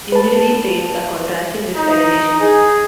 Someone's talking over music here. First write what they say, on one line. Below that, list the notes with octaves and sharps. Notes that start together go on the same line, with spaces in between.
Unitary states are contrasted with federations.
B4 A5
D#4
G#4